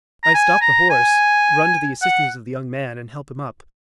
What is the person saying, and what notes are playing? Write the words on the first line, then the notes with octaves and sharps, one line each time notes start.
I stop the horse, run to the assistance of the young man and help him up.
A#5
G#5
A#5
G#5
F#5